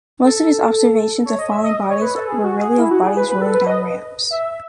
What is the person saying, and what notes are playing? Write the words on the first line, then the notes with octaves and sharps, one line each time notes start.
Most of his observations of falling bodies were really of bodies rolling down ramps.
A4
C#5
D#5
E5
D#5
C#5
B4
A4
G#4
F#4
G#4
E4
F#4
G#4
B4
B4
A4
B4
D#5
E5